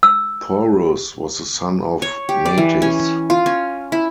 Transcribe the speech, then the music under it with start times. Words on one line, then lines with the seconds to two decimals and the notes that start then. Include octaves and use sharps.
Porus was the son of Metis.
0.03 E6
2.02 C#5
2.29 G4
2.45 D5
2.58 E3
2.82 C#4
3.30 F4
3.46 C#4
3.92 E4